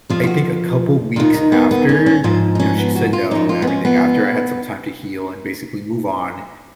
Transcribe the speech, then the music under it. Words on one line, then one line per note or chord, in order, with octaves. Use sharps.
I think a couple weeks after- you know, she said no and everything- after I had some time to heal and basically move on,
F2 F3 F4
F4
F#4
D#2 D#3 F4
D#4
B3
B3
C#4
C#4
G#2 F3 F4
D#4
C#4
B3
F#4
F4
G#2 F3 D#4
F4
B3
C#4
B3